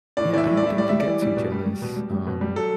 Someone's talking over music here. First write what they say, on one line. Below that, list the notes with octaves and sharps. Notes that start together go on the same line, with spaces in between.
Yeah, I don't think they get too jealous. Um,
A2 D5
E3 D5
E5
A2
D5
A2 E5
G3 D5
G3 E5
D5
E3
G3
B2
G3
G3
B2
G3
G3
B2
G3
F#3 A4